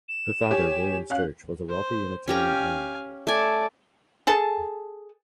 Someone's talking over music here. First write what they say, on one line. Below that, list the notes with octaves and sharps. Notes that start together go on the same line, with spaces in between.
Her father, William Sturch, was a wealthy Unitarian ironmonger.
E7
G4 C#5 G#5
C#4 F5 F#6
C5
C#4 G4 F5 G#5 A#5
A3 D5 G#5
G#4 A4 A5